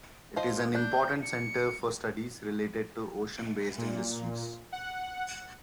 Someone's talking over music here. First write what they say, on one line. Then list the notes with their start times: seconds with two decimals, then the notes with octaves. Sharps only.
It is an important center for studies related to ocean-based industries.
0.36 F3 C5 D#5
0.75 D4 G6
1.22 C#7
3.78 A#2
4.72 F#5